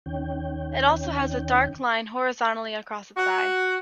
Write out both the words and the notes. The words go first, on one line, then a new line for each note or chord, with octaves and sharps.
It also has a dark line horizontally across its eye.
D#2 D#3 C#4 G5
F#4